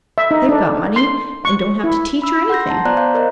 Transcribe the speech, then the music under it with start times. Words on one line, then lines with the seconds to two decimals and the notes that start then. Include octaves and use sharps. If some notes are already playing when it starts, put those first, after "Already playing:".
They've got money, and don't have to teach or anything.
0.18 E5
0.31 D#4
0.49 D4
0.96 C6
1.45 C#6
1.84 E4
2.22 B5 E6
2.50 F#5 C6 G6 A#6
2.68 A5 A#5 C6
2.85 B3 F4 C5 D5 A#5 F#6
2.97 C5 F5 A#5 G6
3.15 A#4 C5 D#5